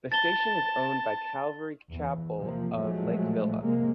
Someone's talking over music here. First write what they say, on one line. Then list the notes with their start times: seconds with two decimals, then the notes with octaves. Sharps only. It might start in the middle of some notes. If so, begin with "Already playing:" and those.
The station is owned by Calvary Chapel of Lake Villa.
0.12 A5 A6 G7
1.92 E2
2.39 C3 F3 A#3
2.75 A#2 F3 F#3 G#3 A3
3.60 C3 G#3 A#3